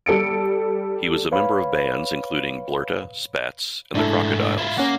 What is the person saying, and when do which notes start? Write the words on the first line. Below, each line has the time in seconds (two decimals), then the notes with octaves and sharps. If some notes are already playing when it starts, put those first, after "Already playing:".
He was a member of bands including Blerta, Spats and The Crocodiles.
0.06 G3 A4 C#7 D7
1.32 B4 C#5 F5 B5
3.95 G#2 A3 D4 E4 A4
4.58 E4 F4
4.78 A#3 C#4 F#5